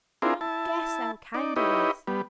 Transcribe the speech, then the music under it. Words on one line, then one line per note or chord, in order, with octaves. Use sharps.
You don't guess how kind he was.
C4 D4 E4 F4 G#4 A#4
E4 A5
D#4 D5
D#4 E4 G4 B4 C#5 D#5
G3 B3